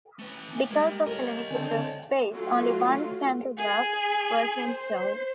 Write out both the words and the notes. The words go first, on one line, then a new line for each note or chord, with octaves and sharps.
Because of the limited roof space, only one pantograph was installed.
A3 B4
G3 G#3 A#3
A3 A#4 C#5 D#5
D3 C4 G#5 A5
F#3 A3 F4
G#4
C5